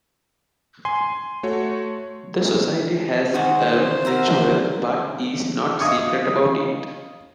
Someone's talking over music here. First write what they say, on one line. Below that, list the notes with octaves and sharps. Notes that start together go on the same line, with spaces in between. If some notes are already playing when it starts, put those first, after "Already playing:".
The Society has a ritual, but is not secret about it.
G#5 C6
A3 F#4 C#5
D#3 G#3 D#4 F#4 C5 D#5 F#5
A#4 E5 F#5
D#5 F5 D#6 G#6 C#7